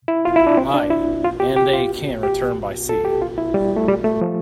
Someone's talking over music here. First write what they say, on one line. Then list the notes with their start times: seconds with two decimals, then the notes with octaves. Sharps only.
Ay, and they can return by sea.
0.08 E4
0.25 F4
0.36 E4
0.47 D4
0.57 C4
0.74 D4
0.90 E4
1.24 F4
1.40 G4
1.56 G4
1.74 F4
2.23 G4
2.89 A4
3.05 G4
3.22 F4
3.38 E4
3.54 G3
3.76 A3
3.88 G3
4.04 A3
4.21 F3